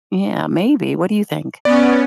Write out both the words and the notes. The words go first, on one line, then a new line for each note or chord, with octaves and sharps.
Yeah, maybe, what do you think?
B3 C#4 D5